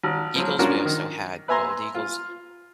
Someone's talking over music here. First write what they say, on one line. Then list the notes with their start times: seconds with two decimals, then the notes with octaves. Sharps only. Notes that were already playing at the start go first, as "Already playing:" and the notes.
eagles, we also had bald eagles
0.03 G#1
0.36 F3 F#3
0.59 C#4 D4 F4 F#4 A#4
0.85 D#3
1.48 B4 E5 G#5 A#5 C6
1.95 F4